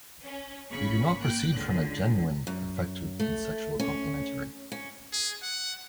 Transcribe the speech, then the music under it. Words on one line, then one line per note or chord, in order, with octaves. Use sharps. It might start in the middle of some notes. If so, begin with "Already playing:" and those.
They do not proceed from a genuine effective and sexual complementary.
C#4
G#1 C#3 B5 C#6
A#3 G5 F#6
C#2 D3
F#2
A3
C#4
C#4
G#4
F#5